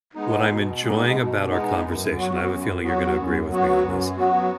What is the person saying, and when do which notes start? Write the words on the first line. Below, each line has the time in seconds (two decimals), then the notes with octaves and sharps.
What I'm enjoying about our conversation- I have a feeling you're gonna agree with me on this,
0.15 G#3 B3 D#4
0.48 B2
0.82 G#3 B3 D#4
1.15 B2
1.49 G#3 B3 D#4
1.82 F#2
2.16 F#3 B3 F#4
2.49 F#2
2.83 F#3 B3 F#4
3.17 F#2
3.50 F#3 B3 F#4
3.84 F#2
4.18 F#3 B3 F#4